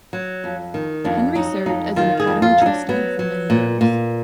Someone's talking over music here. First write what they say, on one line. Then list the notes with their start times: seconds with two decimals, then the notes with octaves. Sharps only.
Henry served as an academy trustee for many years.
0.13 F#3
0.44 F2
0.74 D#3
1.04 F2 D4
1.35 F#3 D#4
1.66 F2 D#4
1.96 D#3 F4
2.20 G#4
2.27 F2
2.42 F4
2.58 F#3 D#4
2.66 D4
2.89 F#3 B3
3.19 F#3
3.50 A#2
3.81 A#2